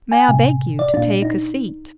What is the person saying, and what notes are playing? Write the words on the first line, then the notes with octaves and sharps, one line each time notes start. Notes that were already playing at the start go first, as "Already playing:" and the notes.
May I beg you to take a seat?'
G#5
A2 C3
D5
A#2 D4
D#4